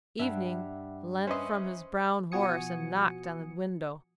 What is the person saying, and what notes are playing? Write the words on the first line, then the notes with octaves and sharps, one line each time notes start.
Evening leant from his brown horse and knocked on the window.
G2 G3 E5 F#5
C#4 B4 C5 D#5 E5 C6
B2 F3 F#4 G#5 D#6 C#7